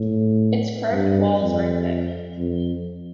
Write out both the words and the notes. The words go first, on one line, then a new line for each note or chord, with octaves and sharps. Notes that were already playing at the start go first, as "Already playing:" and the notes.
Its curved walls are thick.
Already playing: A2
G2
F2
F2